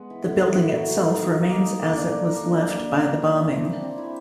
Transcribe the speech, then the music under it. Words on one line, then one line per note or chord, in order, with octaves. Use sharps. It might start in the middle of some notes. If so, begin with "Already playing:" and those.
The building itself remains as it was left by the bombing.
Already playing: G#3 B3
E3
A2
A2
E3
F#3
F#3
D#4
D#3
D#4
A#3
D#3
A#3
D4
D4
A#3
D4
D4
A#3
D4
A#3
E4
E4
C4
C4
C4
E4